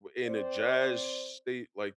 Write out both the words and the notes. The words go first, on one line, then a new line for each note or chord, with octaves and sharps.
in a jazz state? Like,
C4 C5 D5